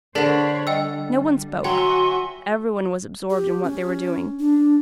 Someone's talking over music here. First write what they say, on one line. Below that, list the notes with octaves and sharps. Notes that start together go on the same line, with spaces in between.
No one spoke. Every one was absorbed in what they were doing.
D3 D4 G#4 A#4 C5 C#5 B5 B6
G3 D#5 G5 E6
F#3 F#4 E5 G5 G#5 C6
G4
C#4
D4